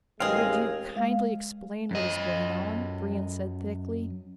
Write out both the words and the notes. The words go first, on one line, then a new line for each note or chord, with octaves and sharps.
"Would you kindly explain what is going on?" Brion said thickly.
A1 D#2 G#3 C4 G#4 D#5 F5
G#3 F5
F#2 D#5